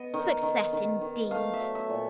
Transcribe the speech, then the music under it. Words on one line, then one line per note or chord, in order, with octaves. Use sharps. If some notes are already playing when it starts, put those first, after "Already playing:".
Success indeed!
Already playing: B3 D#5
D#3
D#3
D#3
D#3
A3 F5
E5
F#3
E5
A#2